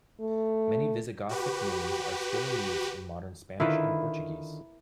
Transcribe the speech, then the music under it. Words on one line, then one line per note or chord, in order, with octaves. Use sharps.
Many Visigothic names are still in use in modern Spanish and Portuguese.
A3
F#4 G4 B4
D3 D#3 E4 F4 A#4 B4